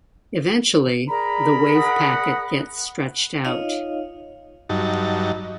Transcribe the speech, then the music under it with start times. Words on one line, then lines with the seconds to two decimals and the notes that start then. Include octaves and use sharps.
Eventually, the wave packet gets stretched out.
1.09 G#4 A#4 D5 A#5 B5
1.76 F#5 D#6
3.45 D#4 F4 C#5 D#5 F5
4.69 G2 F#3 D#4 A5